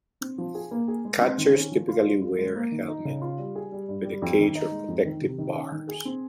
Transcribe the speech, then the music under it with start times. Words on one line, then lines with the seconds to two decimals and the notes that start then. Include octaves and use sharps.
Catchers typically wear a helmet with a cage or protective bars.
0.21 C4
0.38 F3
0.55 G#4
0.71 A#3
0.88 G#4
1.05 G#3
1.21 C4
1.38 D#3
1.55 C#4
1.72 F3
1.88 F4
2.05 G3
2.22 F4
2.38 G#3
2.55 A#3
2.72 D#3
2.88 D#4
3.05 C#3
3.22 F4
3.38 G3
3.55 G#4
3.72 G3
3.88 G2
4.05 G3
4.22 F2
4.39 D#3
4.55 D#4
4.72 G#3
4.88 F2
5.05 D#3
5.22 C3
5.38 D#3
5.55 C#4
5.72 D#3
5.89 G#4
6.05 C4